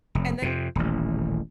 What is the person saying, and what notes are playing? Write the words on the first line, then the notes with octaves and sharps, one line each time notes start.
And then he
F1
F2 C3
D#1 A1